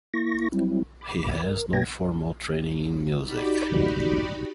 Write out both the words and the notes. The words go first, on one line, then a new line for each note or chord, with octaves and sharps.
He has no formal training in music.
A#3 E4 C#6 A#6
F#3 G3 C4 E4
B5 D6
A#4
B2 A#3 B4 G5 G#6 A#6
D#4 F#4 G4 D5 B5